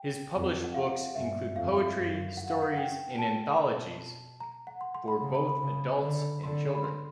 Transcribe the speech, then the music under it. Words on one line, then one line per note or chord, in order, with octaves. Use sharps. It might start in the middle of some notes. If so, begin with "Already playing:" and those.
His published books include poetry, stories and anthologies for both adults and children.
Already playing: G5
F2
F#5
F5
G2 E5
F2 F5
F#2
F#5
F5
F#5
G5
A#2 A5
B2
A#5
F#5
C6
C6
B5
C#3
B5
B5
C#3
D3
D3 C6
B5
C6